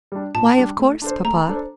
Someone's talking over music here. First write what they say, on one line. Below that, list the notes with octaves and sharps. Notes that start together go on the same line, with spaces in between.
"Why of course, papa?"
G3 D4
A#2 A5
G3 D4
A3
D4 A4 C5
A3 A#5
D4 A4 C5